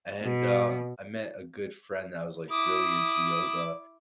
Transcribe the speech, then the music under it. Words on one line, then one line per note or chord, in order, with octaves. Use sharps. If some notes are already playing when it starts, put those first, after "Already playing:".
and, um, I met a good friend that was, like, really into yoga,
B2
E4 D6 D#6